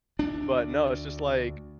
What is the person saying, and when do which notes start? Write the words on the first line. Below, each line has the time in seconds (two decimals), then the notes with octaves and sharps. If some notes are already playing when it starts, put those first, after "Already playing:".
But, no, it's just, like,
0.19 D2 D4